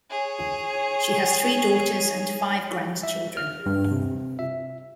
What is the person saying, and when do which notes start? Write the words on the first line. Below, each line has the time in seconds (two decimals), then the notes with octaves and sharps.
She has three daughters and five grandchildren.
0.10 G#4 C#5
3.03 E5
3.37 F6
3.66 G2
3.91 C3
4.39 E5